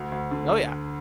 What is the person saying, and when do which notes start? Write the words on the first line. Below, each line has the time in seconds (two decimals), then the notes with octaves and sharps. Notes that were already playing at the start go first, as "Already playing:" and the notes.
Oh, yeah.
Already playing: D2
0.12 D2
0.31 D3